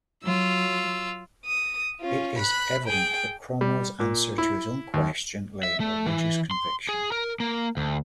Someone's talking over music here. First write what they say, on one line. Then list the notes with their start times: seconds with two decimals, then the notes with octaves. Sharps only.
It is evident that Cromwell's answer to his own question lay in religious conviction.
0.24 F#3 F4 E6
1.45 D#6
2.00 C#4 F4
2.38 B5 F#6
2.86 G#4 G5
3.61 G3
4.00 A#2
4.38 E4
4.94 D#2
5.63 E5
5.80 A3
6.06 E3
6.51 C6
6.89 G#4
7.12 A#4
7.40 A#3
7.77 D2